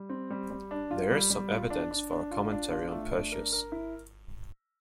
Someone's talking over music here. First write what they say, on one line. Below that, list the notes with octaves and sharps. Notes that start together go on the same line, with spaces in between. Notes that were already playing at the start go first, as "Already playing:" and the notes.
There is some evidence for a commentary on Persius.
Already playing: G3
C4
G3
G3
D4
F4
G3
G3
F4
D4
D4
D4
F4
D4
F4
A3
D4
A#4
A#4
E4